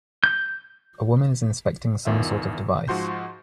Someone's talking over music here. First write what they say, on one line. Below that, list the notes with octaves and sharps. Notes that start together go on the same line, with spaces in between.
A woman is inspecting some sort of device.
G6
G1 E2 D#3 F4 E5
G#2 F3 F#4 C6 G6